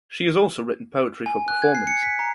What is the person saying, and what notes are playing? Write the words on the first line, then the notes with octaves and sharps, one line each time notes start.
She has also written poetry for performance.
G#5
F#6
G#6
C7
C#7
B6
A#5